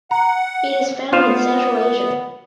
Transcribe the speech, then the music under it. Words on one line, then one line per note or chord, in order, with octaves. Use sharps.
It is found in Central Asia.
F#5 A#5
B3 F4 C5 F5